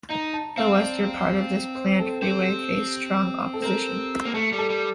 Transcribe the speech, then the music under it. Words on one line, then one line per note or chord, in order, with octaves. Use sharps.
The western part of this planned freeway faced strong opposition.
D#4 A#5
A5
C4 F5
D5
C5
A4
C4 G4
A4
C4 A#4
A#3
A3 A4
G3
A4
G3